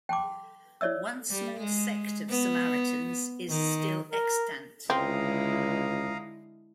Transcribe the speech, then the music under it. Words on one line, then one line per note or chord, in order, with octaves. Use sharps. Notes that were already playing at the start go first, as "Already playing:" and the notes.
One small sect of Samaritans is still extant.
G5 A5 C6 D6
E4 C#5 D5 E5 E6
G3
G#3
B3
D#3
A#4
C#2 D3 G#3 C4 E4 F5 A#5 D#6